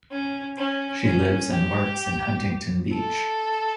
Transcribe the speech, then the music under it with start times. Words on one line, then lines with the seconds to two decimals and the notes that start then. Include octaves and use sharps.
She lives and works in Huntington Beach.
0.11 C#4
0.58 C#4
1.05 C#4
1.52 G4
2.92 A4